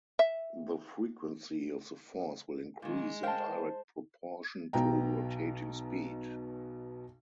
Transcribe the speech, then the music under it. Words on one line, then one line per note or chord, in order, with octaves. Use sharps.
The frequency of the force will increase in direct proportion to rotating speed.
E5
A#2 D#3 G#3
A#4 C5 F5 G5 A5
B1 B2 G5 A#5